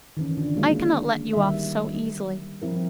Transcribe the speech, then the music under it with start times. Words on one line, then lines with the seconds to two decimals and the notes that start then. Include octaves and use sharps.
I cannot let you off so easily.
0.17 D#3 E3 C#4
0.37 D3 D#3 D4 F4
0.55 D#3 F#3 G#3 A#3 E4
1.33 D#3 G3 E5
1.81 D#5
2.62 F3 C4 E4 A#4